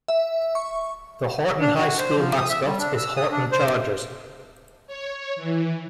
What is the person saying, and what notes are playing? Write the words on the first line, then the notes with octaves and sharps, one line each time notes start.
The Horton High School mascot is Horton Chargers.
E5
C#6
D4
F#4
C5
F3
D#6
E5
G3
D4
E6
D#6
D4
C5
C#5
E3